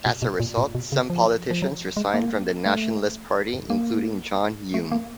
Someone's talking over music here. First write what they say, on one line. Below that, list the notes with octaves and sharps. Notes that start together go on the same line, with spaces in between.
As a result, some politicians resigned from the Nationalist Party, including John Hume.
B2
B2
A#2
A#2
B2
C#3
F3
F3
F#3
G#3
A#3
A3
A#3
A3
A#3